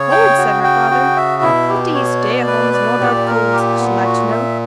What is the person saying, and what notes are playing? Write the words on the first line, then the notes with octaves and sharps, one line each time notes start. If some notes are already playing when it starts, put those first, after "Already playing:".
'Cold!' said her father, 'what do ye stay-at-homes know about cold, a should like to know?
Already playing: C#3 C#5
G5
F#4
G5
F#4
E5
B2 E4
G4
C#5
D5
B4
D5
A#2 G4
A#4
G4
B3
F#4
E5